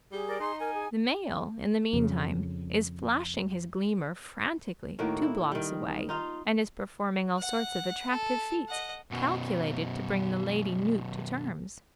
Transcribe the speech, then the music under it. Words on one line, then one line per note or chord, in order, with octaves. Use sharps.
The male, in the meantime, is flashing his gleamer frantically two blocks away and is performing all sorts of attractive feats, calculated to bring the lady newt to terms.
G3 G#4
A#4 D5
D#4 C6
A#4 G#5
G#4
F2 C#3
A2 D#3 A#3 F#4
E4
D#3 G3
D#4 F4 F5
F#5
A4
D#5 F#5
F#2 B2